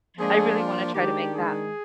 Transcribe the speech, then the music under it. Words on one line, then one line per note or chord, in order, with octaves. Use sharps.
I really wanna try to make that.
F3 G#3 A#3 D4 G#4
F4
D#3 G#3 D4 G4
G#3 G#4